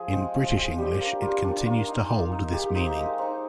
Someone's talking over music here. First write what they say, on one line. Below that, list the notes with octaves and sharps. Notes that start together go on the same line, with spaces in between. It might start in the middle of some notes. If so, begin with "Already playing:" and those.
In British English it continues to hold this meaning.
Already playing: F3 G#4
G#3 C4
F3
G#3 C4
G3 G4
A#3 D4
G3 F4
A#3 D4
A#3 F4
D#4
A#3
D#4
G#3 G4
C4 D#4
G#3
C4 D#4